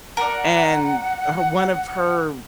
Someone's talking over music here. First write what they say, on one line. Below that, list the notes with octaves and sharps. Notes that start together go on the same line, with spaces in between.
and her one of her
A#4 D5 F#5